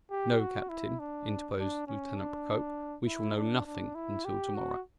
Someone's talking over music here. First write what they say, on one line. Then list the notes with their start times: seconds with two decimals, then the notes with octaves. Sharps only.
"No, captain," interposed Lieutenant Procope; "we shall know nothing until to-morrow."
0.11 G4
0.39 F#4
0.69 E4
0.99 D4
1.59 D4
1.87 C#4
2.17 D4
3.06 E4
3.36 D4
3.66 D4
3.95 E4
4.25 G4
4.55 F#4